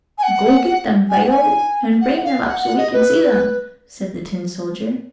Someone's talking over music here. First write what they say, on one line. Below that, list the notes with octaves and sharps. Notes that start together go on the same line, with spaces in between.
"Go get them, Fido, and bring them up so we can see them!" said the tin soldier.
G#5
F#5
G#5
F#5
G#5
F#5
F5
F#5
F#5
D#5
B4